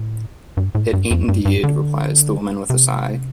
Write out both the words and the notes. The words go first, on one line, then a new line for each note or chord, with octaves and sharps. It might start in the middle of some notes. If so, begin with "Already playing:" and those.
"It ain't indeed," replies the woman with a sigh.
Already playing: A2
G2
A2
G2
F2
G2
G2
D3
C3